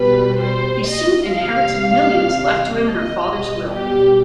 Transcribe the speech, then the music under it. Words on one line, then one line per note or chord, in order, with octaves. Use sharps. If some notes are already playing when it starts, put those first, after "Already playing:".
He soon inherits millions left to him in her father's will.
Already playing: B2 G3 B4
C5
D#5
C3 D#3 G3 F5
D#5
B2 G3
G4